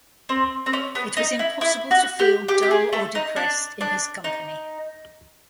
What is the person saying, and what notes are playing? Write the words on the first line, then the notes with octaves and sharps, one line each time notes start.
It was impossible to feel dull or depressed in his company.
C4
C4
C#4
B3
D#4
E4
E4
F#4
G4
G4
G4
G#4
A3 A4
D#4
D4
D4
D#4